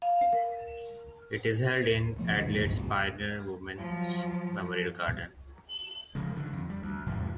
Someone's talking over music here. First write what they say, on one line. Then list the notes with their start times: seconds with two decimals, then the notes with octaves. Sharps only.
It is held in Adelaide's Pioneer Women's Memorial Garden.
0.02 F5
0.33 A#4
2.19 B2 F3 A3
2.35 B2 D#3 F#3
2.50 E2 A#2
2.63 G1 C#2 G2
2.77 C2 A2 C3
3.74 F3 F#3
6.15 C#3 F3 G#3
6.36 D3 D#3
6.53 F2
6.70 G3
6.82 D2
7.06 E2 G#2 C3 F3